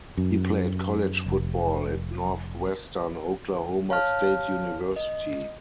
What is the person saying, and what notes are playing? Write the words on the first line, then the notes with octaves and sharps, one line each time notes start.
He played college football at Northwestern Oklahoma State University.
F#2
F1
C#5 F5 A5 F6
D#5